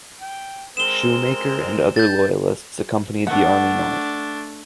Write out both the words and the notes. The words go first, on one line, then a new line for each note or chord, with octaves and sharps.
Shoemaker and other loyalists accompanied the army north.
G5
G#3 C4 A#4 E7 G7
G6 A6
A3 D4 F#5